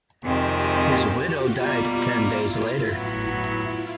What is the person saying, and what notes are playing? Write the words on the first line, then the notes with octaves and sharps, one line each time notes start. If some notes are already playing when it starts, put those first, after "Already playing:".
His widow died ten days later.
F2 C3 D#3 G#3 C4 G4
F#4
F4
B2 G3 A#3 F4
E4
E4
A2 F#3 B3 E4
F4